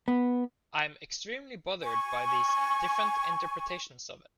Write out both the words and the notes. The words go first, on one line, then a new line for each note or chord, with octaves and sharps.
I'm extremely bothered by these different interpretations of it.
B3
G#5 C#6